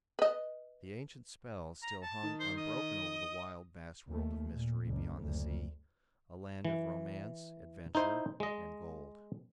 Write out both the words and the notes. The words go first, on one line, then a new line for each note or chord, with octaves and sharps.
The ancient spell still hung unbroken over the wild, vast world of mystery beyond the sea,--a land of romance, adventure, and gold.
B4 D#5
A#5
A5
D#3
C5
D#5
D#2 A3
A#2
F#1 C#2
F#1 D2
E3
D#4 E4 C5
G#3 D#5